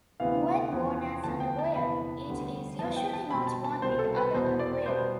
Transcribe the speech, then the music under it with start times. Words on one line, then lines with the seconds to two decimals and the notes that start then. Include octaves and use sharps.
When worn as underwear, it is usually not worn with other underwear.
0.20 D2 C3 E3 B3 F5
0.72 E2 C3 F3 B3
1.24 D2 D3 F3 B3 A5
1.40 G5
1.59 A5
1.75 E2 C3 E3 B3 B5
2.27 D2 D3 G3 B3
2.79 F2 E3 B3 A5
2.96 G5
3.13 A5
3.30 B2 G3 C4 B5
3.47 A5
3.64 A5
3.82 C2 B2 G3 C4 C5
3.99 A4
4.16 B4
4.34 E2 B2 B3 C5
4.59 D5
4.86 B2 G3 B3 C5